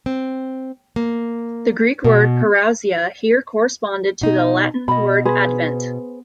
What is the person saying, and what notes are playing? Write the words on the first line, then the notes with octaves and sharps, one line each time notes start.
The Greek word parousia here corresponded to the Latin word advent.
C4
A#3
B2
B2 D#4
B2 D#5 B5
G#4 B4 C5